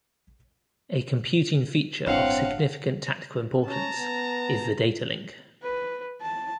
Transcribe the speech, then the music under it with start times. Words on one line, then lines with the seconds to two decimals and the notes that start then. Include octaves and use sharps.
A computing feature of significant tactical importance is the datalink.
2.06 G1 A2 C4 D4 F5 F#5
3.67 C#4 A5 A#5
3.98 B3
5.63 B4
6.21 A5